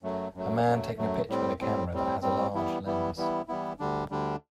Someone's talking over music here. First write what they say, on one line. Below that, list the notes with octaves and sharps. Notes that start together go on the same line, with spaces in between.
A man taking a picture with a camera that has a large lens.
F#2 F#3 A3
F#2 F#3 A3
F#2 F#3 A3
F#2 F#3 A3
A2 G3 C4
A2 G3 C4
A2 G3 C4
A2 G3 C4
E3 G3 B3 E4
E3 G3 B3 E4
E3 G3 B3 E4
E3 G3 B3 E4
D2 D3 G3 D4
D2 D3 G3 D4